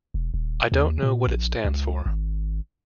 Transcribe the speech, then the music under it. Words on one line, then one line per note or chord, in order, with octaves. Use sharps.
I don't know what it stands for.
E1
D#1
D#2
A#2
A#1
C#2
G#1